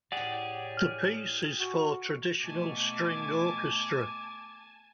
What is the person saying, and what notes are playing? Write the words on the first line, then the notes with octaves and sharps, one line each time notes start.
The piece is for traditional string orchestra.
A2 G4 G#4 D5 F#5
F6
F#4
B2 A3 G#5 A5 D6